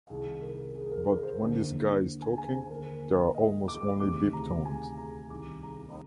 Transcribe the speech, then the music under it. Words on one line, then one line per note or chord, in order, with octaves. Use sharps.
But when this guy is talking, there are almost only beep tones.
C2 C3 D#3 G#4
A#4
G#4
A#4
A#4
C5
D#2 D3
G#5
G#5
C5
D#2 D3 A#4
D#5
D6
D2 C3 D#3 D6
A#5
G#5
A#5
C2 C3 D#3 D6
A#5